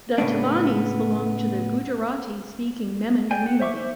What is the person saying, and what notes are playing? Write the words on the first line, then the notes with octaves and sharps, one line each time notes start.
The Tabanis belong to the Gujarati-speaking Memon community.
A2 C#3 A#3 B3 D4
G#4 D5 G5 G#5
F#5
C5 C#5 E5 C#6 D6
C5 E5